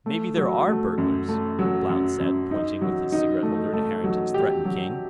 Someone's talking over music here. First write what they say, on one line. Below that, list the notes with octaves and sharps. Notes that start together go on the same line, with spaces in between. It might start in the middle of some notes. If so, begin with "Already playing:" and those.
"Maybe there are burglars," Blount said, pointing with his cigarette-holder to Harrington's threatened king.
A3
F#3
A3
F#2
A3
F#3
F#2
F#2
D#4
F#3
D#4
A3
A3
F#3
G4
F#3